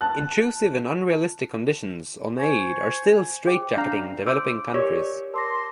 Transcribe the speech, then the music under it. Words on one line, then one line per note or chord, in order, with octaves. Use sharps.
Intrusive and unrealistic conditions on aid are still straight-jacketing developing countries.
A5 F#6
C5 G#5 C#6
G#4 C5 G5 D6
D4 F5 A#5 G6
C5 C6 D6 E6 G6 D7
G4 A#4 C#5 D5
A#4 A5 C6 D6 A#6